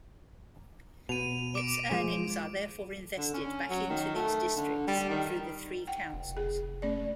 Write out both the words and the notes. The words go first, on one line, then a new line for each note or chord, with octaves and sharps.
Its earnings are therefore invested back into these districts through the three councils.
B2 D#7 F7
D6 D7
F3 G#3
D3
C#4
F#3
D#3
A3
D3
G3
D#3
F#5 G5
F1
G#4
A3 C#4 D5